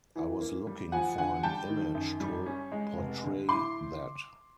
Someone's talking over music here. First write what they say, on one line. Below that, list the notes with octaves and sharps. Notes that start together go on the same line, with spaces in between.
I was looking for an image to portray that.
E3
A#3
G3
F3 F#5 G#5
D3 F#5 G#5
G3 G5 A5
D#3
F#2
G3
C#4
G#3
F1
D3
A2 C6 D6